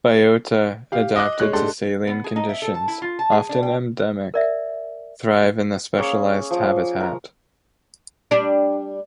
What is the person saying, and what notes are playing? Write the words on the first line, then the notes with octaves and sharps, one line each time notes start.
Biota adapted to saline conditions, often endemic, thrive in the specialized habitat.
G4 F5
D#5 D6 F#6
G#3 C#5 F#6
G2 G#3 D4 G4 A4 C6
B3
G#4
D#4
E5
A4
A5
E4
F4
A5
G#4
D4
G5
A#4 D5 E5
A#3 C#4 G#4
F3
A#4 A#5
G3 D4